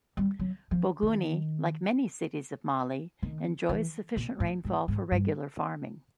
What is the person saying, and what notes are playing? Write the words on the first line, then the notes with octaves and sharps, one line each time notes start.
Bougouni, like many cities of Mali, enjoys sufficient rainfall for regular farming.
G3
F#3
F3
D#3
D#3
E3
A#2
A2
G#2
G#2
G2